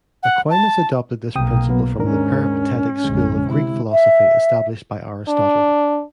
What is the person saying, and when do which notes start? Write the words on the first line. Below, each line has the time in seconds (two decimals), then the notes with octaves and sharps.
Aquinas adopted this principle from the Peripatetic school of Greek philosophy, established by Aristotle.
0.23 F#5
0.50 A5
1.35 B1 C3 A#3 G5 D#6
1.69 F#3 B3
1.99 D#2 G#2 C#4 D4 A#4
3.04 A#1 F#2 D3 G#3
3.46 C3 E4
3.91 E5
5.28 D4